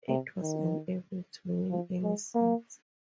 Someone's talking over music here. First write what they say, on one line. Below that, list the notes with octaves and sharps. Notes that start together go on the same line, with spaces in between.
It was unable to win any seats.
C3
D#3
F3
G#3
A#3